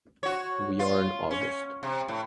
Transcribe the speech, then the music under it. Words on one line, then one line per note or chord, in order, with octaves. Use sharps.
We are in August.
F#4 C#5
F4
C#4
C3
A2